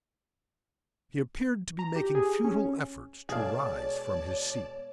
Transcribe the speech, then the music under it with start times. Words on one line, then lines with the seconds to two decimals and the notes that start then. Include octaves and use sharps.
He appeared to be making futile efforts to rise from his seat.
1.79 A#5
1.96 G4
2.15 G#4
2.44 C#4
3.29 B2 G#3 A3 G#4 C#5 D5 F5 A5